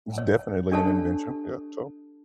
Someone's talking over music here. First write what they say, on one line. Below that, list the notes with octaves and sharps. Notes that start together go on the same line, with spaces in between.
It's definitely an invention, yeah, so
C#5
D4 G4 A4 C#5 A5